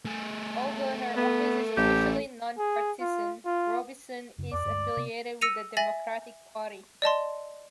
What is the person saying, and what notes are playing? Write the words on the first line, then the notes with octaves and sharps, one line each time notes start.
Although her office is officially non-partisan, Robison is affiliated with the Democratic Party.
A3 G#4
B3 A4
A1 G4
G#4
F4
F4
F#2 C#3
F2 D5
D2 G2 G#3
C3 B3
E6 A#6 C#7 D#7 F7
E5 G#5 A6 A#6 F#7
D5 D#5 A5 C6